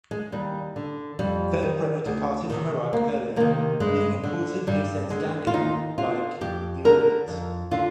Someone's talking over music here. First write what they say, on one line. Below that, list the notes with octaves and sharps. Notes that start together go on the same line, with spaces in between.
Then Bremer departed from Iraq early, leaving important loose ends dangling-like-the audit.
G#3
D#2 G3
D3
F2 G3
D#3
D2
C3 D#3
D2 A#3
C3 D#3 A#3
G2 G#3
D3
G2 G3
D3 G#3
F4
D#2 D#4
D3 F4
F2 G4
D3 A#4
F2
D3 F4